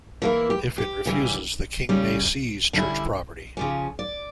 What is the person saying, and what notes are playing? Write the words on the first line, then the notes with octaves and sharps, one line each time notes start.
If it refuses, the king may seize Church property.
E3 A#3 E4 A4
G4
G4
C#3 E3 G3
C#3 G3 C#4
D3 G3 C#4 E4 A4
C#3 F3 C#4 G4
D5